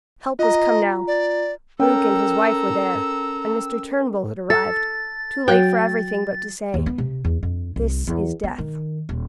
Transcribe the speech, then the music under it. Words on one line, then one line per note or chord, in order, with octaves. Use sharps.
Help was come now; Luke and his wife were there, and Mr. Turnbull had arrived, too late for everything but to say, "This is death."
F4 D#5 A#5
D5
C#4 A4 A#4 G5 A#5 E6
A4 A6
F#3 F#4 C#5 G5
D#2
B3
C3
E2
F2
C2
E2
B3
D#3
D#1